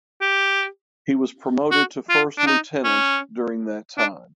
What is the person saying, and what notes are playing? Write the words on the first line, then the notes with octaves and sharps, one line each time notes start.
He was promoted to first lieutenant during that time.
G4
F#4
F4
D4
D#4
C#4
D4